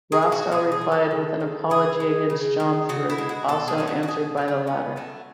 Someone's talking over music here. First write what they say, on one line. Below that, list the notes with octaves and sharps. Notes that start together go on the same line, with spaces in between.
Rastell replied with an "Apology against John Fryth", also answered by the latter.
G#4
G#3
F#4
B2 G#4
G#4
G#3
A4
C#3
G#3
C#3 G#4
G#3
C#3
G#3
C#3 F#4
E4
G#3
F#4
B2 A4
G#4
F#3 A3
F#4
F#4
B2 G#4
F#3 A3
C#4
B2 B3
F#3 A3